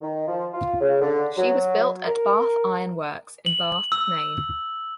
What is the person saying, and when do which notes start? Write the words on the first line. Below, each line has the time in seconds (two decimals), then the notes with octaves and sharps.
She was built at Bath Iron Works in Bath, Maine.
0.01 D#3
0.27 F3
0.54 F4
0.81 C#3
1.01 D3
1.37 F#3
2.06 A#4
3.46 F#7
3.92 E6